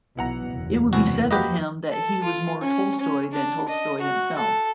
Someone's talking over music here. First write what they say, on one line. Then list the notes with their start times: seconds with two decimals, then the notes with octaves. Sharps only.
It would be said of him that he was more Tolstoy than Tolstoy himself.
0.17 B1 B2 E3 E4 F#5 A#5
0.50 F#1 E2
0.93 C2 E3 F#4
1.31 A#3 B3 F#4 G4 B4 D#5
1.91 A4
2.24 F4
2.61 C#4
3.00 C#4
3.32 D4
3.68 D#5
4.01 F#4
4.37 A4